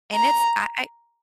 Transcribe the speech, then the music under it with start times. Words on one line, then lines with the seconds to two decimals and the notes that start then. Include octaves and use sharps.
And it's I I
0.14 A#5